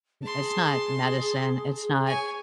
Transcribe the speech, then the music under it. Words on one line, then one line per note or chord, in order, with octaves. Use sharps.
it's not medicine, it's not
G#4 A5 C6
C#5 G#5